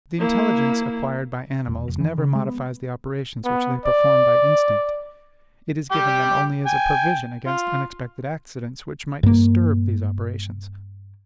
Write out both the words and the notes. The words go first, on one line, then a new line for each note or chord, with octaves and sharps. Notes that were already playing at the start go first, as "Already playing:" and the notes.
The intelligence acquired by animals never modifies the operations which they perform by instinct: it is given them only as a provision against unexpected accidents which might disturb these operations.
A#3 E4
E1
F1
E3
C#3
G#3
B3
B3
D5
G3 G5 D6
G5 G#5
F4
G2 A#3